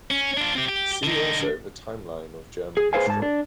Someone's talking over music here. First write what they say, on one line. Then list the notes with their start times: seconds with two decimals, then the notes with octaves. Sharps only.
See also the timeline of German history.
0.11 C#4
0.37 D4 F4
0.55 C4 G4
0.69 G4
1.03 D3 D#4
2.77 G#4
2.93 G#4 A4 B4 C5 F5 G#5
3.07 G#2 A5
3.22 D4